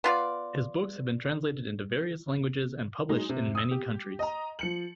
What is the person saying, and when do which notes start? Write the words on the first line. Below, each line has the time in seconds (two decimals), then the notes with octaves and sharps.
His books have been translated in various languages and published in many countries.
0.04 B3 F4 D5
3.09 F#3 G#3 D#4
3.29 C3
3.55 D#6 E6
3.71 G4
4.19 D#5 A#5
4.59 F3 C#7 F#7